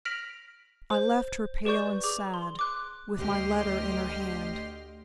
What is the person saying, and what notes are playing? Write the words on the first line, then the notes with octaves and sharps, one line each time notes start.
I left her, pale and sad, with my letter in her hand.
F6 A#6 B6 D7 F7 F#7
C5 G6
G4 B4 D5 C#6 G6
G#4 D6
C6
D6 F#6
D2 G4 D#5 C6 F6